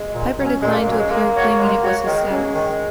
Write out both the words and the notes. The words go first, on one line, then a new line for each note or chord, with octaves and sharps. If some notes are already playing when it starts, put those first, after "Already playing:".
Piper declined to appear, claiming it was his Sabbath.
Already playing: G#3
A#2
F#3 C#4
A#2 G#3
A#3
F#3 C#4
G#3
G#3 A#3
F#4 C#5
G#3
F#4 C#5
D#3 G#3
F#3 A#3 C#4
D#3